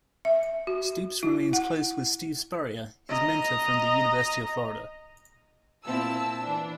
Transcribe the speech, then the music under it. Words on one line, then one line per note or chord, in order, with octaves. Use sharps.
Stoops remains close with Steve Spurrier, his mentor from the University of Florida.
E5
F#4
E4
F#5
D#5 A#5
A#2 C4 E4 A5 E6
E3 D4